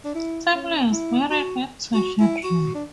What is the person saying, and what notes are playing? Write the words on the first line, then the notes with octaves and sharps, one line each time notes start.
Temple is married with two children.
D4
E4
C#4
E4
F#4
F#4
E4
F#4
D4